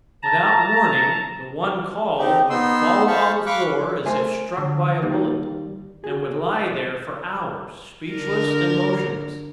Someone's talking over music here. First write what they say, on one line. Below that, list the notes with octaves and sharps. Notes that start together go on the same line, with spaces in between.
Without warning the one called would fall upon the floor as if struck by a bullet, and would lie there for hours, speechless and motionless.
A5 A#5
C4 D#4 G4
B3 D#4 C6 E6
C5 F5 A5 B5 C#6
F5 B5 C#6 D6 F#6
A3 A#4 C5 E5 G#5
D3
D#3 G3 A#3 D#4
F#4 G#4
D3 D4 A#4